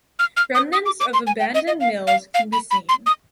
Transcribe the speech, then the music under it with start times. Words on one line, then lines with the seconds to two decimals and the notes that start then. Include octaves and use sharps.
Remnants of abandoned mills can be seen.
0.19 F6
0.37 F6
0.55 D#6
0.73 D#6
0.86 D6
1.00 D6
1.14 C6
1.27 G#5
1.40 G5
1.54 D#5
1.68 D#5
1.80 F5
2.07 F5
2.34 F5
2.53 B5
2.71 B5
2.89 C6
3.06 D#6